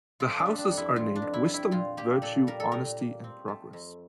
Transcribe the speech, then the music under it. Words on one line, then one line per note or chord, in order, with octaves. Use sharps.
The houses are named Wisdom, Virtue, Honesty and Progress.
F2 F4
D4
G3
D4
F2
E4
E3 F4
D4
F2
E4
G3
E4
A#2 F4
A#3 G4
A#2 A4
G3 A#4
A4
A#2 A#4
A#3
C4
A3
F2